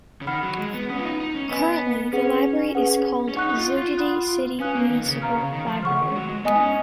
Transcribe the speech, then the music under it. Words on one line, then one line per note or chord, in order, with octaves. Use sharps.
Currently, the library is called Zugdidi City Municipal Library.
C#3
D#3 F#5 B5 F6
F#3
G#3
B3
C#4 B4 F#5 B5 D#6
F4
D#4
D#4
C#4
B3 D#5 G#5 B5
C#4 G#4 B4 F#5
G#4 B4 F#5
C#4
D#4 F#5 C#6 F#6
D#4
F4
F4
F#5 B5 D#6 F#6
C#4 B4 F5 G#5 D#6 F#6
A#3
D#3
C#3
B2 F5 A#5 C#6 F6
C#3
D#3
F3
C#3 F#5 C#6 F6
D#3
G#3
F#3
G#3
B3 D#5 G#5 D#6
D#4
C#4